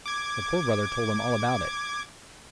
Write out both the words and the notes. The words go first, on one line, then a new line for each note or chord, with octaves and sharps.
The Poor Brother told him all about it.
D6 G#6